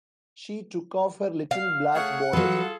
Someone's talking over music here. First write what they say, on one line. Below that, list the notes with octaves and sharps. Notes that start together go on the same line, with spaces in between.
She took off her little black bonnet.
F5
A3 G#4 C#5 F#5
F#3 F4 G#4 A4 B4